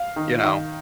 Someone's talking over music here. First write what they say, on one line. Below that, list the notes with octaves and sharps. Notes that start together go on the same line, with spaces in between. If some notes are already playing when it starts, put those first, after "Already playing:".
you know?"
Already playing: F5
D#3
D#3